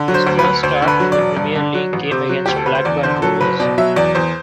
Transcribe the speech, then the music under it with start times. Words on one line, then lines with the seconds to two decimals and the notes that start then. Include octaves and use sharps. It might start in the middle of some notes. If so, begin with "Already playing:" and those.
His first start in the Premier League came against Blackburn Rovers.
Already playing: D3
0.08 F#3
0.14 C5
0.27 D2
0.39 B4
0.44 D2
0.63 D2 C5
0.82 D3
0.88 B4
1.00 F#3
1.12 D5
1.19 E1
1.37 G2
1.56 D3
1.74 F#3
1.93 A1
2.11 C3 C5
2.29 F#3
2.46 D2 G4
2.56 A4
2.66 D2 B4
2.75 C5
2.85 E2 D5
3.03 D3 C5
3.22 F#3 A4
3.41 F#1 B4
3.60 B2 D5
3.78 F#3 E5
3.96 E2 D5
4.15 E2 C5